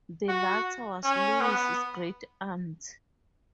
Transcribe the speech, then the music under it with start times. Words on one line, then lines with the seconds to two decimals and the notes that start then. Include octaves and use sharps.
The latter was Louis's great-aunt.
0.28 F#4
1.03 C#4
1.41 B3